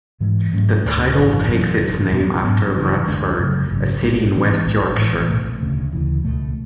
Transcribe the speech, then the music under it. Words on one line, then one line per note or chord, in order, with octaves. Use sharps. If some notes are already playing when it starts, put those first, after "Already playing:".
The title takes its name after Bradford, a city in West Yorkshire.
G#2 E3 G#3
G#2 F#3 A3 C#4
E1 D2 D3
G#1 F#2 E3
E2 C#3 F#3 C#4
F#1 F#2 E3
E2 B2 G#3 B3
G#2 F#3 B3
F#1 F#2 C#3 E3
D2 D3 G#3 D4
F#2 C#3 F#3 A3
G#1 F#2 C#3
B1 A2 G#3
F#2 C#3 E3 B3
B1 A2 G#3
A1 A2 E3 G#3
B1 B2 A3
E1 D2 C#3
D2 C#3 E3
C#2 B2 A3